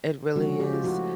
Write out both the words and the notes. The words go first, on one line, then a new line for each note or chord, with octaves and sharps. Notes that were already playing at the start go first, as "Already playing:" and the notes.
It really is.
C#3 F3 G#3 C#4 F#4
G4
F4
F3 A3 C#4 E4 F#4